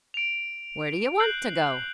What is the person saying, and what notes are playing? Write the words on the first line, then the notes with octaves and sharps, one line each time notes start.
"Where do you want to go?"
D7 F7
F#6 G6 C7 F#7